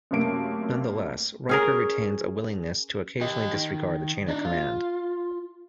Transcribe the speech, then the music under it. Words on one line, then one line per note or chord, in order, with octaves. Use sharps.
Nonetheless, Riker retains a willingness to occasionally disregard the chain of command.
F#2 C3 A3 A#3 D7
C#4 G#4 A#4
G4 D#5
D#3
D4 D#4
F4